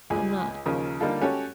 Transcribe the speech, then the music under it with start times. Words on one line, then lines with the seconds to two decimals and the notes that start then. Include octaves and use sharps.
I'm not
0.10 C#2 G#4 G#5
0.66 D#2 C#3 F3 A#4
1.00 D3 G3 A#3 D#4 F4 A4
1.21 C#4 F#4 G4 A4 C#5